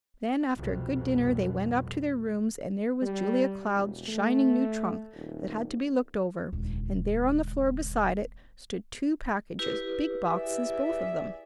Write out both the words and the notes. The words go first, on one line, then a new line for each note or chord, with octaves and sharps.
Then after a good dinner they went up to their rooms, and there was Julia Cloud's shining new trunk that had to be looked over; and there on the floor beside it stood two packages, big boxes, both of them.
C2 F2 B2
G3
E1
A3
D#1
D#1 C#2
E4 G4 B4
G#4 D5 E5